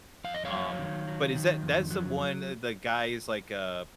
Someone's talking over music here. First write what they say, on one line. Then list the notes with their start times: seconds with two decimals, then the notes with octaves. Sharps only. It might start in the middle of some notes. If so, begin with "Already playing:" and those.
Um, but is that that is the one, uh, the guy is like, uh
0.24 F2 F5
0.34 D#5
0.45 C#5 F5
0.52 F#3
0.79 D#3
1.08 F#3
1.35 D#3
1.63 F2
1.91 F#3